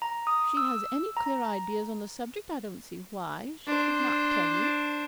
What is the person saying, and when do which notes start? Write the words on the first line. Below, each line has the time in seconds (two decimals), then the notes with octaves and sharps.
If she has any clear ideas on the subject I don't see why she should not tell you.
0.02 A#5
0.27 D#6
0.57 E6
1.17 A#5
3.67 D4 C5